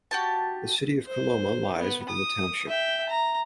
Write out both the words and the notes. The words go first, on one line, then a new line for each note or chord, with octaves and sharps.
The city of Coloma lies within the township.
F#4 G4 A5
C5
B3
D#6
E5 G5
A#5